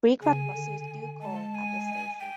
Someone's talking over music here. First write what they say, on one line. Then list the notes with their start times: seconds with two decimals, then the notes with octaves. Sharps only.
Frequent buses do call at the station.
0.22 C#3 G#5
0.56 D3
1.22 G#3 A5
1.55 G#5
2.20 G5